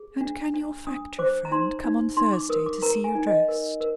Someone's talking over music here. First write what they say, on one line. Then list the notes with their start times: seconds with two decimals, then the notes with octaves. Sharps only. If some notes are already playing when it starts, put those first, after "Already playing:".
'And can your factory friend come on Thursday to see you dressed?'
Already playing: G#4
0.21 D4
0.54 D4
0.87 D4 D#6
1.19 C5 D6
1.45 A#5
1.52 D#4 C6
1.84 D#4
2.17 D#4 C6
2.33 D6
2.49 A#4 D#6
2.66 D6
2.82 A#4 A#5
3.04 G#5
3.15 D#4
3.27 D#5
3.48 A#4
3.81 A#4